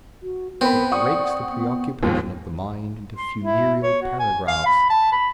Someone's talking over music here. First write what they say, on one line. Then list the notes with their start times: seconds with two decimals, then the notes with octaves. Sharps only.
It breaks the preoccupation of the mind into funereal paragraphs.
0.22 F#4
0.61 B3 C4 A#4 B5
0.91 D5 F#5 C#6 D#6
1.50 B3
2.03 D#2 G#2 F3 B3
3.16 C6
3.41 E4
3.83 C#5
4.02 F#4
4.19 G#5
4.47 F5
4.65 B5
4.90 A5
5.12 B5